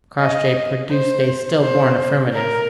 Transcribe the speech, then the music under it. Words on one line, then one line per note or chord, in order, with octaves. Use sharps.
Crossjay produced a still-born affirmative.
D#5
C5
C5
A#4